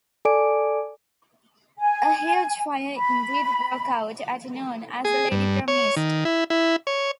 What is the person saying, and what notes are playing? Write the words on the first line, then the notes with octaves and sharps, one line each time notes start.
A huge fire indeed broke out at noon as the lady promised.
A4 D5 G#5 D6 D7
G#5
B5
G#4
G2
C#5
D#3
E4
E4
C#5